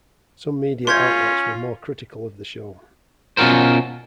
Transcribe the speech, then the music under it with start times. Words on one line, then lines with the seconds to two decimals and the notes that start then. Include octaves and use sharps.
Some media outlets were more critical of the show.
0.87 C#4 F4 C6 G6 G#6
3.37 B2 C#4 F4 F#4 A#4 C5